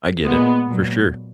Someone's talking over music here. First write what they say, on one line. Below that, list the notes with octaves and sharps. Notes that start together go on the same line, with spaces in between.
I get it, for sure.
A#2 G#3 B3
A#2 F#3